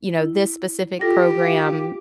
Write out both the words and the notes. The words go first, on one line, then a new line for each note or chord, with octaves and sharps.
you know, "this specific program
E4
F4 G4 A4 A#6
F5